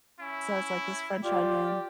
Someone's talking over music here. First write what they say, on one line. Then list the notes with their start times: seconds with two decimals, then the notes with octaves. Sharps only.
So it's like this French onion
0.20 C#4 E4
1.24 F4 G4 D5